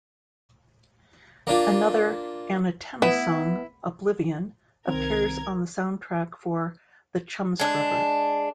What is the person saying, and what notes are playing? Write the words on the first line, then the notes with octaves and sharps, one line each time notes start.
Another Annetenna song "Oblivion" appears on the soundtrack for "The Chumscrubber".
A#3 D4 F4
B3 E4
C2 D#3 C4 A#4 G#6
G#3 D4